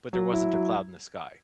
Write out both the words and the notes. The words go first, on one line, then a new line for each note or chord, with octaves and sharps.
but there wasn't a cloud in the sky
F#3
E4
F#3